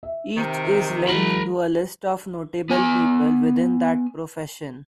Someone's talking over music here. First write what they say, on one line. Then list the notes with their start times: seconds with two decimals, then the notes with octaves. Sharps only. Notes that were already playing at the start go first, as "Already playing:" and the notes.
Each is linked to a list of notable people within that profession.
0.03 E5
0.37 C3 D#3
1.08 E3 F#3 G#3 A#4 B5
2.70 B3 G#5